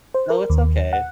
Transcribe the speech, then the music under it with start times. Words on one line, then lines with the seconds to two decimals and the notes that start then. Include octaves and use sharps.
no, it's okay.
0.14 C5
0.30 A#4
0.50 D#2
0.93 F#5